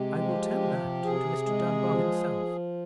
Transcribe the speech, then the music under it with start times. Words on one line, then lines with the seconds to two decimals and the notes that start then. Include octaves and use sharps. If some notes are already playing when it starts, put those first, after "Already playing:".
"I will tell that to Mr. Dunbar himself."
Already playing: C3 G#3 G4
0.21 F3
0.63 C3
1.05 C3 G#4
1.46 G#3
1.89 F3